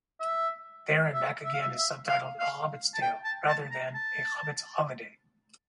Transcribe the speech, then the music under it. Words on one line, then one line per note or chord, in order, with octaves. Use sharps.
"There and Back Again" is subtitled "A Hobbit's Tale" rather than "A Hobbit's Holiday".
E5
E5
E5
F5
E5
E5
F5
F5
A5
G5
A5
A5
A#5
A5